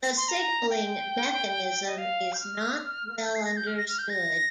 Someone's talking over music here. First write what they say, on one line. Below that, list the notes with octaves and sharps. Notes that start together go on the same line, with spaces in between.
The signaling mechanism is not well understood.
C6
A#5
G5
D#5
F5
G6
F6
G6
C7
A#6
G6
F6
A#6
F6
G6
A#6